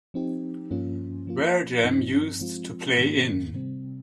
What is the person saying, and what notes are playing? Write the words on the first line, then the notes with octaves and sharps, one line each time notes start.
Waregem used to play in.
F3 C4 D#4 G4
G2 F3 A#3 C#4 F4
F3 A#3 F4
G2 F3 C4 D#4
F3 G#3 C4 F4
G#2 D#3 A#3
C3 G3 C4